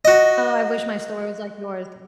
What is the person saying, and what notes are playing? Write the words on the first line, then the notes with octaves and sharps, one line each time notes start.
I wish my story was like yours.
F#4 D#5